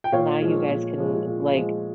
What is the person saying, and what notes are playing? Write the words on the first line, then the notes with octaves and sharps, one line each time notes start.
Now you guys can, like,
G5
A#2 C#5 F5
F3 G#3
A#2
F3 G#3
A#2
F3 G#3